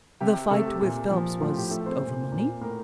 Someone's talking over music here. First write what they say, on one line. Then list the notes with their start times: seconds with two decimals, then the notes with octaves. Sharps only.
"The fight with Phelps was over money?"
0.21 C3 G4
0.51 C3 A3 A4
0.66 G4
0.81 A#2
1.11 F3
1.41 A2 F4
1.57 G4
1.71 A2 A3 A4
1.86 C4 C5
2.01 A#2
2.32 A#2
2.61 A2 A#3 A#4